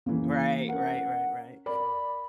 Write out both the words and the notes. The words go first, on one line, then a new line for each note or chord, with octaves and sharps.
Right, right, right, right.
C#3 E3 A#3
C#4 A#4 F#5
A#4 D5 B5